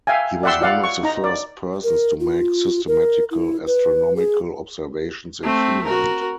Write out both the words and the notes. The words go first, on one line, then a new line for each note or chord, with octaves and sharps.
He was one of the first persons to make systematical astronomical observations in Finland.
E5 F5 G5 G#5
D5 E5 F#5 G5 C6 E6
F4 D5 F5 F#5
C#6
D#4 A#5
D5
A#4
F4
A#4
E4
B4
G#4
A3 C4
F#4 A#4